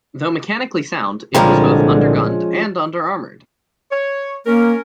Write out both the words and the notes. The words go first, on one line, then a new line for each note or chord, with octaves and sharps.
Though mechanically sound, it was both under-gunned and under-armoured.
C2 A#2 D3 F3 G3 G#3 A#3 C#4
C#5
A#3 C#4 A#4